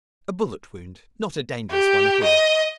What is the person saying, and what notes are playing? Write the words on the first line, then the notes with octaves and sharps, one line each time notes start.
"A bullet wound--not a dangerous one at all."
G4
D#5